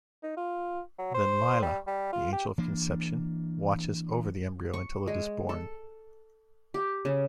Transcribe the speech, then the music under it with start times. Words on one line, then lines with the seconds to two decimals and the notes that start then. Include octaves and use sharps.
Then Lailah, the Angel of Conception, watches over the embryo until it is born.
0.23 D#4
0.37 F4
0.99 F#3
1.14 C5
1.63 G3
1.87 G3
2.13 F4
2.33 G4
2.58 E3 A#3 D4
4.73 C#6
5.07 G#3
5.49 A4
6.74 G4
7.05 C#3